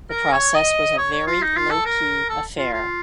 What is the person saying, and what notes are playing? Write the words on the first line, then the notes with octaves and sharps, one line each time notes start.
The process was a very low-key affair.
A#4
C#5
D#5
C#5
C#5
F4
D#4
F4
A4
A#4
A4
F4
F4